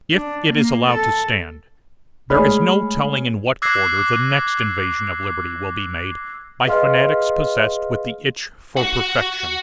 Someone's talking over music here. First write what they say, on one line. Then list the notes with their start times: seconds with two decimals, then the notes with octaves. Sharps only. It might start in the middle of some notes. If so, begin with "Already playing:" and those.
If it is allowed to stand, there is no telling in what quarter the next invasion of liberty will be made by fanatics possessed with the itch for perfection.
0.12 D4
0.47 A#3
0.86 A4
2.30 G#3 A3 G#4 C#5 B5 F6
3.62 D6 E6 F#6 G#6 A#6 C7
6.66 G#4 B4 D#5 F5 C6 F6
8.77 F#4 F#5